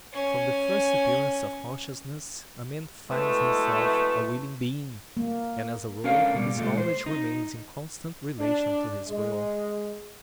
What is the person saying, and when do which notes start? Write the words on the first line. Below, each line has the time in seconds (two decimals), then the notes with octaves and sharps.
From the first appearance of consciousness, a man finds himself a willing being, and as a rule, his knowledge remains in constant relation to his will.
0.13 C#4 G#5
3.10 B2 E3 G#3 A3
5.17 A#3
6.04 A3 C#4 D4 A#4 F5
6.34 B2 G3
6.56 A#2 G#3 A3
6.77 C5
7.06 D#4
8.39 D4
9.07 G#3